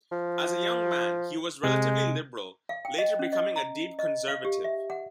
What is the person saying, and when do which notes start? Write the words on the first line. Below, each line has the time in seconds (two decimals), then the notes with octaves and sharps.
As a young man he was relatively liberal, later becoming a deep conservative.
0.12 F3
1.63 C3 G#3
2.69 F5
2.85 G5
2.98 D#5
3.19 C#4
3.32 D#5
3.56 A#5
3.99 D#5
4.28 F5
4.45 G4
4.64 E5
4.90 F#5